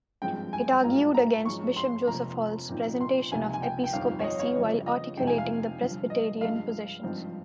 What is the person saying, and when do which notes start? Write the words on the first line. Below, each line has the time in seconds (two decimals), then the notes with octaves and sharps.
It argued against Bishop Joseph Hall's presentation of episcopacy, while articulating the Presbyterian positions.
0.22 G#1 G2 F3 G#3 C4 G5
0.53 G#5
0.84 G#1 G#2 G3 A#3 F4 A#5
1.15 A#5
1.45 G#1 G#2 F3 G#3 C#4 C#6
1.76 C6
2.08 F1 F2 C3 F3 A#3 A#5
2.69 A#2 F3 C4 D#4
3.01 C6
3.31 C#2 C3 F3 A#3 D#4 G#5
3.54 G#5
3.62 G5
3.84 G5
3.93 G1 F2 D#3 G3 C4 F5
4.20 C#5
4.24 D#5
4.40 C#5
4.55 G1 F2 C#3 G3
4.87 D#5
5.17 F1 F2 C3 D#3 G#3 G5
5.27 G#5
5.38 F5
5.79 G1 G2 F3
6.10 D#5
6.41 G2 F3 G#3 F5
7.03 G#1 G2 F3 C4 D#4